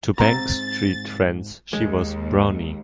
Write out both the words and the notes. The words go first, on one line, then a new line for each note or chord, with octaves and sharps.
To Bank Street friends she was "Brownie".
G#2 C4 A#5 A6
D#2 G#3